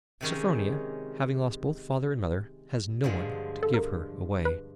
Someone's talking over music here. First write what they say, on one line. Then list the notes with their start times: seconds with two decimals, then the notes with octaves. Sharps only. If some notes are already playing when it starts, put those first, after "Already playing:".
Sophronia, having lost both father and mother, has no one to give her away.'
0.21 C3 D#3 G#3 C#4
3.04 G2 D3 F3 G#3
3.63 A4
3.74 A#4
4.45 B4